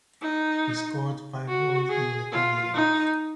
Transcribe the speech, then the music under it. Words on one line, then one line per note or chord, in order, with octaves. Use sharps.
He scored five goals during the friendly games.
D#4
F#4
G#4
F4
D#4